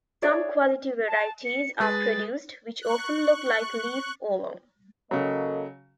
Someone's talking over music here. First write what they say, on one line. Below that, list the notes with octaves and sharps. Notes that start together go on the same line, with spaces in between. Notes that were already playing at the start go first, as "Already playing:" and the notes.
Some quality varieties are produced, which often look like leaf Oolong.
G#4 C#5 D5 E5
A5
C#7
G#3 G#4 B4 A6
C#6 F#6
C#3 F#3 A#3 A4 D#5